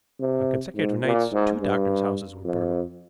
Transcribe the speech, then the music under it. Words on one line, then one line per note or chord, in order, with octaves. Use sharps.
On consecutive nights two doctors' houses were burgled.
C3
G#2
A#2
G#2
G2
F2